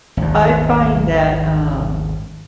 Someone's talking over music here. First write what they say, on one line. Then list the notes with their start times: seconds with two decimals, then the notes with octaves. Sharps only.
I find that, um,
0.17 G#1 D#2